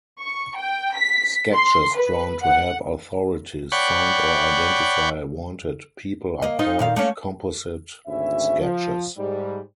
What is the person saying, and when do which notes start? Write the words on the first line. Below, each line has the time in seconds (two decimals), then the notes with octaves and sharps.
Sketches drawn to help authorities find or identify wanted people are called composite sketches.
0.20 C#6
0.56 G5
0.96 B6
1.54 C6
1.96 B4
2.43 F#5
3.72 C#5 D5 F#5 G5 B5 C#6
6.42 A#3 D#5
6.59 D#4 F4 C5
6.79 A#2 D#3 F5
6.96 A3 A#3 C#4
8.07 G#1 D2 C#4 E4 E5
8.60 F3
9.18 G#2 G3